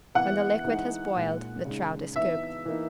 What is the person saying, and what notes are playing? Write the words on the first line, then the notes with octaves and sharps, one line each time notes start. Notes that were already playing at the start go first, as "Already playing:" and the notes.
When the liquid has boiled the trout is cooked.
E3 B3 E4 F#5
E3 G#3 D#4
A#2 G#3 D#4
C#3 G#3 D#4
E3 B3 D#4 E5
E3 A#3 D#4